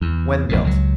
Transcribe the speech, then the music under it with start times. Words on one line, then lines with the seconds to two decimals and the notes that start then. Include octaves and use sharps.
When built?
0.01 E2
0.49 A1 F2 B2
0.64 C#2 F#3